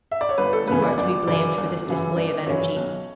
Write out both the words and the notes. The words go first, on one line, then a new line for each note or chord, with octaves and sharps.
You are to be blamed for this display of energy.'
E5
D5
C#5
G1 B4
A4
F#2 C#3 E3 B4
D5
G1 D5
F#2 C#3 E3 D5
G1
F#2 C#3 E3
G1 D5
F#2 C#3 E3 C#5
B1